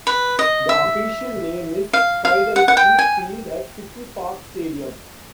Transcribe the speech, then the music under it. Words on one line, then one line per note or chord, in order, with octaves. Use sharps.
The official name is "Skidelsky Field at City Park Stadium".
B4
D#5
E5
F5
F5
F#5
F#5
G5
G#5